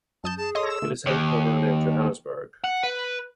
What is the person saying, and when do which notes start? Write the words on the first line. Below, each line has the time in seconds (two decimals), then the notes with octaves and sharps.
It is headquartered in Johannesburg.
0.24 F#2 A5 D#6 G6
0.38 G#4 A5
0.55 A4 C#5 D#5 C6 D#6 A#6
0.68 E6
0.82 D3 A3
1.06 D#2
2.64 F#5
2.83 B4